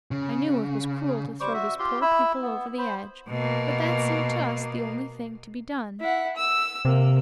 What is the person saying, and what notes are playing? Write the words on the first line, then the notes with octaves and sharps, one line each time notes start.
"I knew it was cruel to throw these poor people over the edge, but that seemed to us the only thing to be done."
C#3
G3 C5 C#6 D6
F#4 E5
F4 G4 C6
E4 B5 E6
B3
C5 B5
B2 A#3
E4 F#5
E6
C3 A#3